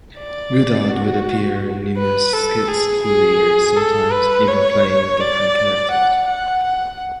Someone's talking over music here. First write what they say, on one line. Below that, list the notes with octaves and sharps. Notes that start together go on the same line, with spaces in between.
Goddard would appear in numerous skits through the years, sometimes even playing different characters.
D5
F#4
B4
A4
G#4
G#4
A4
B4
C#5
D5
F#5
F#5
F#5